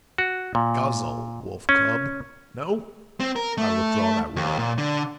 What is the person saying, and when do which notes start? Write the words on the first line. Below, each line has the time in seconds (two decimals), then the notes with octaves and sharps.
Guzzle, wolf-cub; no, I withdraw that word.
0.18 F#4
0.55 A#2
1.69 C#4
3.20 C4
3.36 A#4
3.58 A3
4.36 D#2
4.59 A#2
4.78 D3